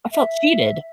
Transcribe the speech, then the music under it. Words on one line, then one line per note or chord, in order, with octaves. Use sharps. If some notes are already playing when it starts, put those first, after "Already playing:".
I felt cheated!
E5